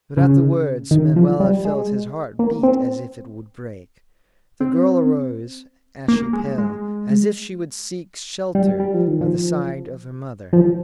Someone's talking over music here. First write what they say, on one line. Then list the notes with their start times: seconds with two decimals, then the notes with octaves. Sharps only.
But at the words Manoel had felt his heart beat as if it would break. The girl arose, ashy pale, as if she would seek shelter by the side of her mother.
0.17 C#3
0.91 D#3
1.16 F3
1.40 G3
1.65 G#3
2.39 A#3
2.63 C4
4.60 C4
6.08 A#3
6.33 G#3
6.58 G#3
8.55 G3
8.80 G3
8.94 F3
9.07 D#3
9.21 F3
10.53 F3